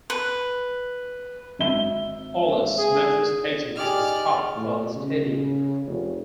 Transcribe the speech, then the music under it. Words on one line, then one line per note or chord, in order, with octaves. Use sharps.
Ulus Metro Station has a stop for the stadium.
B4
G#1 E5 G7
G#4
D#4 G4 G#4 D5 F6
A2
C#3
F1